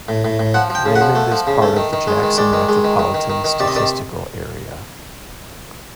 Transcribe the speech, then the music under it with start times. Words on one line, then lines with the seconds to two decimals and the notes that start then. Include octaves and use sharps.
Raymond is part of the Jackson Metropolitan Statistical Area.
0.09 A2
0.25 A2
0.39 A2
0.54 F3 F#5
0.70 F3 G5
0.86 C#3
0.96 F#5
1.01 F3
1.15 A3
1.32 F3
1.47 C#3
1.62 A3
1.77 D#3
1.93 D#3
2.08 G#3
2.23 D#3
2.38 G#3 D5
2.53 D#3
2.69 G#3
2.84 D#3
2.99 D#3
3.14 D#3
3.30 D#3
3.45 D#3
3.60 C3 D5
3.68 D#5
3.75 D#3 D5